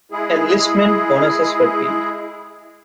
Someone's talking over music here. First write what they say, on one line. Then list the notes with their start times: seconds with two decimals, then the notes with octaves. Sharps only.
Enlistment bonuses were paid.
0.12 G#3 E4 G#4